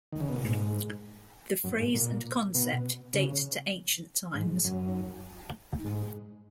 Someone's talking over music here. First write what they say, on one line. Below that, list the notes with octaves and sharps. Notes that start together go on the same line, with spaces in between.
The phrase and concept date to ancient times.
D#3
C#3
B2
A#2
G#2
F#2
G#2
A#2
B2
C#3
G#2
F#2
G#2